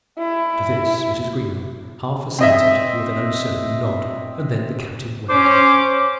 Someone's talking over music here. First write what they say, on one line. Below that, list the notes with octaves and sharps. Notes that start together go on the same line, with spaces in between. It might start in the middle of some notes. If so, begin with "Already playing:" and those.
To this Mrs. Greenow half assented with an uncertain nod, and then the Captain went.
E4
C4 D#5 E5
C#4 C5 D6